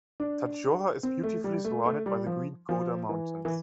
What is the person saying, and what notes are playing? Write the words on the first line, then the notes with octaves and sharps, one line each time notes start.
Tadjoura is beautifully surrounded by the green Goda Mountains.
D4
C4
A3
G3
A3
A3
G3
F3
F3
E3
E3